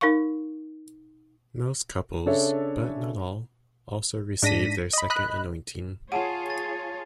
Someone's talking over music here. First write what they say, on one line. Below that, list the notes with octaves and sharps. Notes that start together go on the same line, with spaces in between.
Most couples, but not all, also received their Second Anointing.
D#4 A#4 F5 C#6
C#3 D4 A4 C#5 E5
G#2 D4 A#6 B6 D#7
D#5 B5
D#5 B5 F#6
F4 G#4 C#5 F#5 G#5 A5 D#7
A6